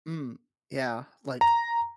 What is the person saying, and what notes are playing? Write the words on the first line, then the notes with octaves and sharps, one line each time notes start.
Mm, yeah, like
A#5